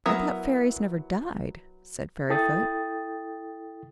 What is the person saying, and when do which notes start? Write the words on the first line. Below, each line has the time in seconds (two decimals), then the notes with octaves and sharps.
"I thought fairies never died," said Fairyfoot.
0.06 F#3 B3 E4 A#4
2.30 E4 A4 G5 D#6 A6